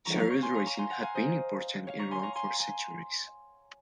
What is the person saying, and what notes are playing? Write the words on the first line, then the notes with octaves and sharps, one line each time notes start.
Chariot-racing had been important in Rome for centuries.
A#5 C#6
C#5 F5
A#5 C#6
G#5 C6
A#5 C#6
A#5 C#6
G#5 C6
F#5 A#5
F5 G#5
C5 D#5
C#5 F5
A#5 C#6
G#5 C6
A#5 C#6
G#5 C6
G#5 C6